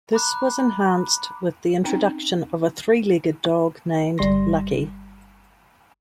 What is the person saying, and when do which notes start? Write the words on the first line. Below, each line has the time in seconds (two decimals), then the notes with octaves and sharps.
This was enhanced with the introduction of a three-legged dog named Lucky.
0.13 A#5 B5 D6 F#6
1.84 C4 C#4 D#4 G5 A#5
4.18 G1 G3 C6 A#6